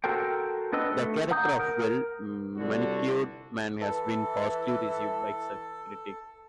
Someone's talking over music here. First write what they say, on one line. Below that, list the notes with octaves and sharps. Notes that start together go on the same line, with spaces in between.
The character of the Well-Manicured Man has been positively received by critics.
F#4 A4 A#4 C5 G5
B3 D4 B4 D#5 E6
A3
F#5 A#5 D#6 G6
A#4
G1 C2 D3 F#4
E3 A4